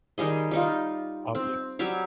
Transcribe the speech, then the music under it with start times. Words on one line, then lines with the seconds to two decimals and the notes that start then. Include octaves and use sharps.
Oh, yes.
0.18 D#3 G3 G#4 D#5
0.51 G3 D#4 F4
1.35 C4
1.79 F#3 G3 G4 C#5